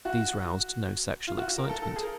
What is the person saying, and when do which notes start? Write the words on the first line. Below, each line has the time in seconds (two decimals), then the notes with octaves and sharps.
These roused no sexual excitement.
0.05 F#4
1.27 F4
1.38 F#4
1.58 A#4
1.69 A4
1.82 A4
1.96 G#4
2.03 A#4